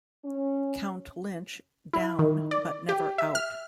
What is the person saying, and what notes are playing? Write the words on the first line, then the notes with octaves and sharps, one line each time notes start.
Count Lynch down but never out.
C#4
E4
D#3
D5
G4
E5
F6